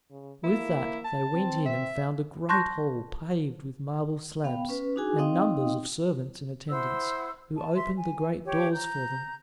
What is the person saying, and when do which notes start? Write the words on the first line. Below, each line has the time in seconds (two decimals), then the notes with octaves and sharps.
With that they went in and found a great hall paved with marble slabs, and numbers of servants in attendance, who opened the great doors for them.
0.11 C#3
0.44 A#3 E4
1.05 A5
1.35 C4
1.66 E5
2.49 A5 C6 C#6 F#6 G6 A#6
4.44 B3 F5 G5 B5
4.69 C#4 B4
4.96 D4 D#4 F#4 G#4 G#5
5.18 C4 D#4 D#5 F5 G5 D#6
6.69 E4 C5 F#5 E6
7.54 A5
7.74 E5 C6
7.94 G#5
8.44 G4 C#5
8.72 A#5 G6